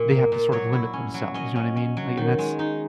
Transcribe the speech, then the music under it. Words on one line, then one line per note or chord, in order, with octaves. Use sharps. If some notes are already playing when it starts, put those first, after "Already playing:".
they have to sort of limit themselves, you know what I mean? Like, and that's
Already playing: A#2
A#3
A#2
F#3 C#5
E4
C#4
F#3
C#4 D#5
C#4
C#4
F#3
D#3
G#3
D#4